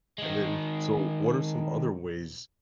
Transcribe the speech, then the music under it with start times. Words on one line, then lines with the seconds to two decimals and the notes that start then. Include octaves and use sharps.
And, then, so what are some other ways,
0.18 D#3 G#3